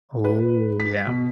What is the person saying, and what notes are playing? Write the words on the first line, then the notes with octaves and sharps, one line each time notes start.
Ooh, yeah.
B4
B6
B2